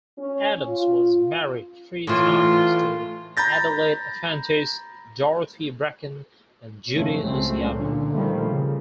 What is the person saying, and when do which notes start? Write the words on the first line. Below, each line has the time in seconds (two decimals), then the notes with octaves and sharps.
Adams was married three times, to Adelaide Efantis, Dorothy Bracken, and Judy Luciano.
0.18 C#4
0.68 F4
2.07 A2 E3 F4
3.37 A#5 B5 G6 A6 A#6
6.92 A1 F2 C#3 A3 C#4
7.24 C#2 F#3 G#3 A3 C4 C#4
7.67 A1 A#2 D3
8.12 A#2 D#3 F3 G3 A3
8.48 C#3